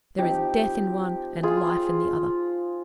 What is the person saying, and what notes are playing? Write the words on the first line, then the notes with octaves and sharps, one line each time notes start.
There is death in one and life in the other.
F3 C4 D#4 G4
F4 G#4